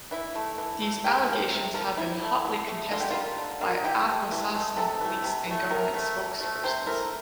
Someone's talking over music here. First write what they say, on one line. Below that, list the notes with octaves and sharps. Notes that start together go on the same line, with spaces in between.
These allegations have been hotly contested by Akwesasne police and government spokespersons.
E3 E4
A3
E3
A3
C3 G4
F3 A#3
C3
F3 A#3
E3 E4
A3
E3
A3
D3 F4
G4
G3 A#3 F4
D3
G3 A#3
E3 G4
A3
E3
A3
C3 A4
E3 A3
C3
E3 A3
C3 A#4
F3 A3
C3
F3 A3
C3 C5
E3 A3 A#4